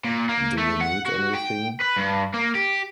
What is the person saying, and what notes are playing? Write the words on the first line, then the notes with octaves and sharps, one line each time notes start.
Do you need anything?
A#2
A#3
A3
F#5
F#4
G5
B4
G2
A#3
G4